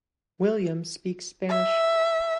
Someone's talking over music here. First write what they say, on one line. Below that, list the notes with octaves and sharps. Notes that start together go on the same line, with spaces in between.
Williams speaks Spanish.
E5